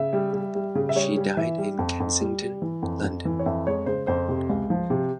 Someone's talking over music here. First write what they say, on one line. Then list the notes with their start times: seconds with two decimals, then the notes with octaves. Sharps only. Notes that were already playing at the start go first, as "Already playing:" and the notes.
She died in Kensington, London.
Already playing: C#3 E5
0.13 G3
0.33 G3
0.55 G3
0.75 C#3
0.89 E5
0.96 G3 C#5
1.17 G3
1.37 E3 E5
1.58 G3
1.79 F2
2.00 F2
2.20 G3
2.42 G3
2.62 E3
2.82 F2
3.04 F2
3.25 E3
3.39 C#5
3.46 F2 E5
3.67 G#3 C#5
3.86 C#3 C5
4.07 F2 C5
4.29 C3
4.50 C#2
4.70 F3
4.90 C3